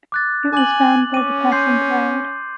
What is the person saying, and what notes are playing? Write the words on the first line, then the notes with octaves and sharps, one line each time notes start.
It was found by the passing crowd.
D6 F#6 A6
G#5 D6 F#7
C#4 D6 D#7
C6 G6 C7